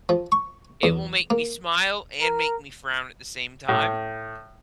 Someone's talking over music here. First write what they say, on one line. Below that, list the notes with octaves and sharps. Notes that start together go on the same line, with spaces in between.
It will make me smile, and make me frown at the same time.
F3
C#6
E2
A#3
A#4
A2